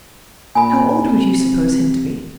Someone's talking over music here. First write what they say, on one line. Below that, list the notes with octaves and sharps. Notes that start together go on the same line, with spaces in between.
"How old would you suppose him to be?"
A#2 G#5 B5
C3